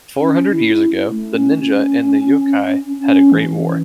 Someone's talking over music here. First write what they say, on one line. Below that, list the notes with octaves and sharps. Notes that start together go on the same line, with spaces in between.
Four hundred years ago, the ninja and the Youkai had a great war.
C#4
E4
A3
C#4
C#4
C#4
E3